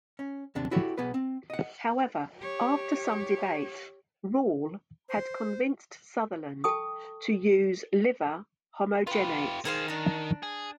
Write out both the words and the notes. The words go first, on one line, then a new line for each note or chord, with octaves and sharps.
However, after some debate, Rall had convinced Sutherland to use liver homogenates.
C#4
D#2 C3 D4
E4 F#4 G4 A4 C#5
B1 B3 G#4 B4
C4
D#5 F#5
G4 C#5
C5
A4 G5 A5 C#6 D#6
F4 G4 B4
D#3 G#4 C5 F5
D4 A#5
G#4